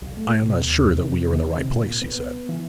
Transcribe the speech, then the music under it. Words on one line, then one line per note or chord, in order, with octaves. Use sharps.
'I am not sure that we are in the right place,' he said.
B1
A3
B2
D#2
C3
D#3
C3
A#2
B3
E3